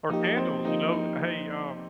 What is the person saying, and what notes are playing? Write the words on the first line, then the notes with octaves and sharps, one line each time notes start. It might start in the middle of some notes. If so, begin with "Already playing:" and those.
Or candles, you know, "Uh, hey, um,
F3 A#3 D#4 G4
C4
F3 A#3 D#4 G4
D#4